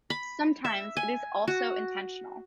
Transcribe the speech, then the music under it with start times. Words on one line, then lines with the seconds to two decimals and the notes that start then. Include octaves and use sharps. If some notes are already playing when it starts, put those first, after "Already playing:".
Sometimes it is also intentional.
0.10 B5
0.65 E5
0.97 G#5
1.48 F#4